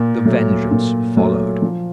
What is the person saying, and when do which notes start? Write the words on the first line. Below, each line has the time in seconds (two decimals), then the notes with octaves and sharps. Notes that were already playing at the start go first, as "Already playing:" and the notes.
The Vengeance followed.
Already playing: A#2
0.25 F#3 A3
0.71 A#2
1.17 F#3 A3
1.62 F3